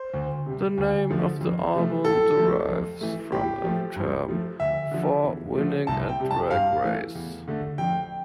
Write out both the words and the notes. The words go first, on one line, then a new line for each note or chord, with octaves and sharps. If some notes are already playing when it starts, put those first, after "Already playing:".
The name of the album derives from a term for winning a drag race.
Already playing: C5
D2
C3 G3
D2
D3 F3 A3
F2
C3 F3 A3
A2 A4
F3 A3
F2
E3 A3
A2 G4
F3 A3
G2
F3 A3
D2 E5
D3 F3
E2
D3 F3 A3
C2 A5
G5
C3 G3
A5
G2 F5
E3 A3
E2
D3 A3
F2 G5